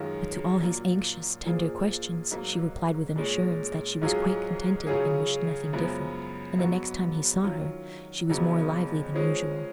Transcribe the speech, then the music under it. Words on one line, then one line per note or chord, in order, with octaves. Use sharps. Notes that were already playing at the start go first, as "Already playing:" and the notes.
But to all his anxious, tender questions, she replied with an assurance that she was quite contented and wished nothing different; and the next time he saw her she was more lively than usual.
Already playing: F#2 D#3 G#3 C#4 F4
A#2 F#3 A#3 F4
A#2 F3 A#3 F4 G#4
G#2 F#3 A#3
A#2 G#3 C#4
G#2 F#3 C#4 F4 G#4
C#3 F#3 C#4 F4 G#4
F#2 C#3 F3 G#3 B3
G#2 F#3 B3 F#4
D#3 F#3 C#4 F4
F2 C#3 F#3 B3
F3 G#3 C#4 G#4